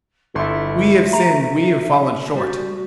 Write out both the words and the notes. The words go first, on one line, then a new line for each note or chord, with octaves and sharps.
We have sinned, we have fallen short.
G1 E4 A4 E5 C6
A3 A#5
G3 F#4